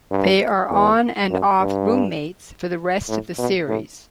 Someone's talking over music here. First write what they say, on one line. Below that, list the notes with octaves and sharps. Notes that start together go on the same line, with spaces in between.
They are on-and-off roommates for the rest of the series.
G2
E2
F#2
G2
A2
B2
A2